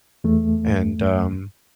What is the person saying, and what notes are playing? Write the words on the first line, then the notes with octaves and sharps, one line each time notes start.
and, um,
E2 A3